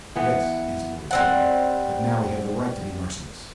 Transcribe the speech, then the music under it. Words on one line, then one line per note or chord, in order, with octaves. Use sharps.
"Yes," answered the reporter, "but now we have the right to be merciless!"
E3 B3
G3 C4 F#5